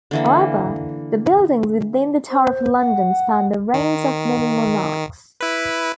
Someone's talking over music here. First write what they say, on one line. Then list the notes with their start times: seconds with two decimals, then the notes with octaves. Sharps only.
However, the buildings within the Tower of London span the reigns of many monarchs.
0.11 D3 E3 A#3
2.29 C5
2.77 F#5
3.74 D#3
5.40 E4 B4